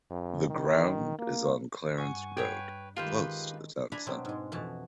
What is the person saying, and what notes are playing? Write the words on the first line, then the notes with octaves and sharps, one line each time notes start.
The ground is on Clarence Road, close to the town centre.
F2
D#3
A#3
G2 F#5 G#5 C#6
B4 C#5 G5
D#3 G#3 F4 G4 B4 C5
D4 E4 E5 G#5 A#5 B5
B2 F#3 C4
G#2 G#3
F2 B2 E3 F#4 A5